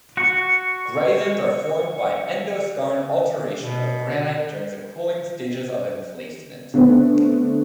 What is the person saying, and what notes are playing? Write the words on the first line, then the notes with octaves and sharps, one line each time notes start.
Greisens are formed by endoskarn alteration of granite during the cooling stages of emplacement.
F#4 C#6
B2
D3 A3 B3 C4 D4